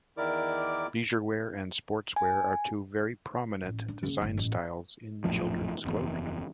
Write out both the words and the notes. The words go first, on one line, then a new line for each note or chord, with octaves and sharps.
Leisure wear and sports wear are two very prominent design styles in children's clothing.
E2 D#3 E4 A#4 D5 D6
G#5
A1
D4
C#3 A#3
G1 G2
A1 G3
A#1 F#2 A2 F3
F#1 E2